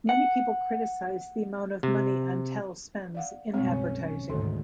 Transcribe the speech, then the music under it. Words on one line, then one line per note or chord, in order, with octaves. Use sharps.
Many people criticize the amount of money Antel spends in advertising.
F#5
C3
D5 F5 F#5
F#1 B1 G3 G#3 C4 C#4
D2 G#2 D#3 A4